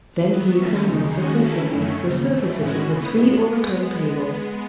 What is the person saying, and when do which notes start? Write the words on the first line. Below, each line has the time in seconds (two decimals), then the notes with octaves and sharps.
Then he examined successively the surfaces of the three overturned tables.
0.25 D#3 F#3 B3
0.54 D#3 A3 C#4 F#4
0.83 D#2 C#3 G#3 D#4
1.12 D#3 G#3 C#4 F#4
1.40 D#3 A3 C#4 E4 A4
1.69 F#2 D#3 F#3 A3 C#4
1.97 D#2 C#3 F#3
2.26 G#2 E3 A3
2.54 A2 E3 G#3 C#4 F#4
2.83 D#2 C#3 E3 B3
3.12 B2 G#3 B3